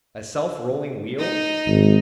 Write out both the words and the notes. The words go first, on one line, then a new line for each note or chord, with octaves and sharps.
A self-rolling wheel?
D#4
G#1